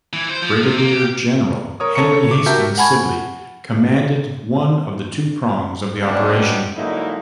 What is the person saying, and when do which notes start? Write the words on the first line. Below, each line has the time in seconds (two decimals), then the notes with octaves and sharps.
Brigadier General Henry Hastings Sibley commanded one of the two prongs of the operation.
0.13 E3
0.30 C5
0.42 F3
0.63 C3
0.78 A#3
0.92 G4
1.80 A#4 C#5 D#6
1.95 A4 C#5 A#5 C#6 C#7
2.31 D6
2.46 F#4 G4 A#4 E5 A5 G6
2.78 F#5 G#5 A5 B5 C#6 G#6
6.00 F#2 C3 G3 G#3 B3 D4
6.76 D3 F#3 G#3 A#3 D#4 E4